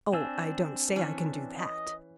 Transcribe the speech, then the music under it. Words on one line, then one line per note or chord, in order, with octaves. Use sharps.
"Oh, I don't say I can do that."
C4 D4 G#5 E6
E3 C#4
D#5